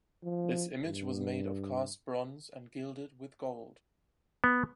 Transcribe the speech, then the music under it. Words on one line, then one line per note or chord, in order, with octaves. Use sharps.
This image was made of cast bronze and gilded with gold.
F3
G2
B3